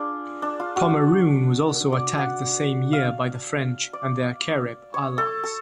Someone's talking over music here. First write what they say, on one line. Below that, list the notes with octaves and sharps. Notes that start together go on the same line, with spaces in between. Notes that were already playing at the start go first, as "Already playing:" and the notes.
Pomeroon was also attacked the same year by the French and their Carib allies.
Already playing: D4 F4 G#4
D4
F4
F#4
D5
F#5
F5
D5
C#5
A4
A4